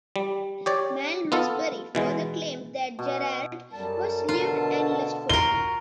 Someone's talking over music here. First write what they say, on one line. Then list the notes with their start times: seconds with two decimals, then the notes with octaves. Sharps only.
Malmesbury further claimed that Gerard was "lewd and lustful".
0.16 G3
0.66 G4 C#5 D5
1.32 B3 F4 A4
1.95 B2 E3 G#3
2.99 B2
3.73 F#2 F#3 G3 A4 A#4 A5
4.29 B2 D3 F4 A5
5.30 F4 F#4 A#4 G7